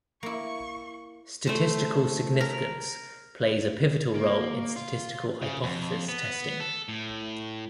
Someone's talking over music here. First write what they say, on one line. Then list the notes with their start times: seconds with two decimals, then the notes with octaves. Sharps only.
Statistical significance plays a pivotal role in statistical hypothesis testing.
0.23 A#3 E4 C#6
1.47 A3 C5
2.41 A#4
4.15 A#3
4.76 F4
5.42 C#3
5.63 F2
6.09 B3
6.60 A4
6.89 A2